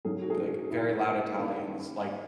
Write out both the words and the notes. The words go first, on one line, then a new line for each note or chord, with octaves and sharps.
b like very loud Italians, like
D#3 F#3 C#4 G#4
F#4
G#4
F#4
E4
E4
D#3 A#3 C#4